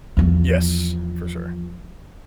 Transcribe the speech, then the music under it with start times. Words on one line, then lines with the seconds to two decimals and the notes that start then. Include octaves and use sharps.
Yes, for sure,
0.17 E2 F3